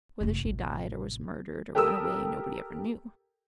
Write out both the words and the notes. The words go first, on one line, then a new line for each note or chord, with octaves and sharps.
Whether she died or was murdered or went away nobody ever knew.
F1 A3
A1 C3
G4 A4 A#4 D#6 E6